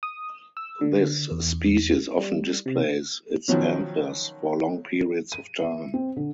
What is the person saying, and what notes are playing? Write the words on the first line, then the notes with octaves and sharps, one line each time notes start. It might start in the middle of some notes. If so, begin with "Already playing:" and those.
This species often displays its anthers for long periods of time.
D#6
E6
D3
E2
G3
C3
B2 D#3 F3 F#3 C#4
D#7
E5
C4
D3